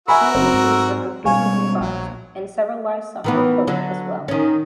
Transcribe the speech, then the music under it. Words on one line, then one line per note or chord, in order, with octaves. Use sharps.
Some of the trees were completely debarked, and several livestock were killed as well.
F#4 A#4 E5 G#5 B5 E6
F#1 F#3 C4
G#2
B2 G3 G#3 C#5 F5 G#5
A#1 F#3
D#3 E3 B3
D3 F#3
D#3 C#4